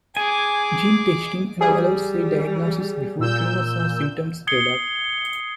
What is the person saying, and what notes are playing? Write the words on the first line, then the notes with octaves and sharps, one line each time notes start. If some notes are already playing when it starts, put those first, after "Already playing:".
Gene testing now allows a diagnosis before tumors or symptoms develop.
G#4 G#5 D6
G3 G#4
A#2 E6 G6
D#6 G#6 C7 C#7 G7